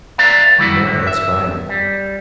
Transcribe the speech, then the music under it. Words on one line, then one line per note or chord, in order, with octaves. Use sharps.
No, it's fine.
B4 D5 E5 F5 A#5
D#3 G3 E4 F#4
D3
E5
G3